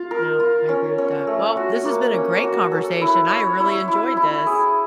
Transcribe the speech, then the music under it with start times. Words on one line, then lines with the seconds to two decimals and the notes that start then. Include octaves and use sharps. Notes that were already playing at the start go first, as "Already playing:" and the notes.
No. I agree with that. Well, this has been a great conversation. I really enjoyed this.
Already playing: F4
0.11 A#4
0.40 F4
0.69 C#4
0.98 C#4
1.27 A3
1.57 F#4
1.85 A#3
2.14 C#4
2.44 F#4
2.72 A4
3.01 E4
3.31 C#5
3.60 E4
3.88 E4
4.17 E4
4.47 G#4